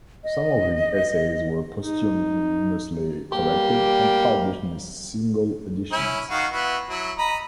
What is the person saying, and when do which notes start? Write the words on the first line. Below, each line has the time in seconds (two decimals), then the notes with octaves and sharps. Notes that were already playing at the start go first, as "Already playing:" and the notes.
Some of his essays were posthumously collected and published in single editions.
0.24 D#5
1.81 D#4
3.32 G3 A#3 G4
5.92 C#4 E4
6.30 D#3 F#4 F5
6.52 B3 E4 F#4
6.90 F#3 E4
7.18 D#5 A#5 B5